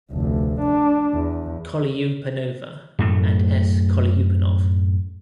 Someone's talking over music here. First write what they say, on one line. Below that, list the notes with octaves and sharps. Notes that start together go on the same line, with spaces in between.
Kolyupanova, and S. Kolyupanov.
F1 D2
D4
E2
F#2 A2 A3